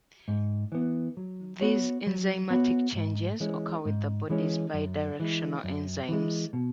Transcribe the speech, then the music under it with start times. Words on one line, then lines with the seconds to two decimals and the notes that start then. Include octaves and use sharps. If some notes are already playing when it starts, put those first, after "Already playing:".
These enzymatic changes occur with the body's bidirectional enzymes.
0.28 G#2
0.72 E3 B3
1.17 F#3
1.61 B3 F#4 C#5
2.07 F#3
2.50 B3 F#4 C#5
2.95 G#2
3.40 E3 G#3 C#4
3.85 G#2
4.30 E3 G#3 C#4
4.74 F#2
5.20 E3 G#3
5.64 F#2
6.08 E3 G#3
6.53 B2